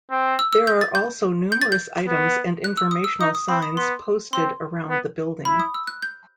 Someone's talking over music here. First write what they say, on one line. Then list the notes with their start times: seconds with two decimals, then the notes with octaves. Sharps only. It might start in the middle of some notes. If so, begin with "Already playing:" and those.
There are also numerous items and informational signs posted around the building.
0.11 C4
0.39 E6
0.53 E6
0.67 G6
0.81 A6
0.95 G6
1.52 G6
1.61 A6
1.72 G6
2.08 B3
2.64 F#6
2.77 E6
2.91 D#6
3.04 E6
3.21 D#4 D#6
3.35 D#6
3.48 C4 B5
3.62 D#6
3.76 B3 C6
4.33 C4 C6
4.90 B3
5.45 E4 B5
5.60 D#6
5.74 E6
5.87 F#6
6.02 G6